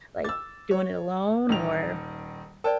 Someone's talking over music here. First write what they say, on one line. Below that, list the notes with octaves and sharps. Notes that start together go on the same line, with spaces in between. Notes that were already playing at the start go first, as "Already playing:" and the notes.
like, doing it alone? Or
D6 E6 A6
C#5
D#1 D#3 F7
A#4 C5 D5 G5 A5